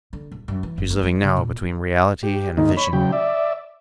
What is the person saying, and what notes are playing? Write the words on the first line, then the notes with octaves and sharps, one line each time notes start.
She was living now between reality and a vision.
D3
D1
F#2
E3
F#1
A#3
G#3
C#3
A#2
G4
D#2 G#2 D#3 A#3 D#4
C#5 B5
C#3 F#3 G5
D5 E5